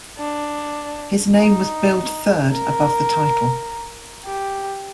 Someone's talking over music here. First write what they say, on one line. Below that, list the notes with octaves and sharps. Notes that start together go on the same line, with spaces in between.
His name was billed third, above the title.
D4
D#4
A#4
G4